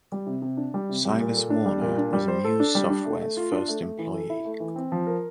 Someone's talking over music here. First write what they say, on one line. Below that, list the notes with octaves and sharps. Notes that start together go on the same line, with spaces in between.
Silas Warner was Muse Software's first employee.
G3
C3
C3
D4
G3
C3
G3
A#2
A4
D4
G3
A#2
D4
G3
C5
A4
D4
G3
D4
A3
A3
F4
D4
A3
A3
E3
A4
E4
A3
E3
C4
F3
A#4